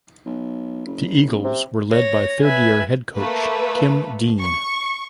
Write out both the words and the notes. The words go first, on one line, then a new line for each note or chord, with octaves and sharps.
The Eagles were led by third year head coach Kim Dean.
B1
F#1
C3
C#5 A#6
B4 E5 G#5
A3 A#3 B4
C#6